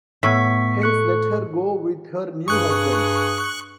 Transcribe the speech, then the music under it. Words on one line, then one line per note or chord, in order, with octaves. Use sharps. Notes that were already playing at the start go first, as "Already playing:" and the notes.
Hence let her go with her new husband.
A2 B3 C#6 B6
A4 C#6 F#6 C#7
G2 G#4 C#6 F#6